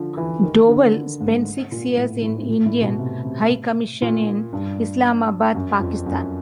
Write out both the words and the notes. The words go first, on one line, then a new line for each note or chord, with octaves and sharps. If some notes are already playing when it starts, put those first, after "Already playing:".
Doval spent six years in Indian High Commission in Islamabad, Pakistan.
Already playing: D3 F3
E3
D#3
D3
G#2
A#2
A2
A2
A#2
A2
B2
C3
C3
A#2
G2
F#2
F2
F#2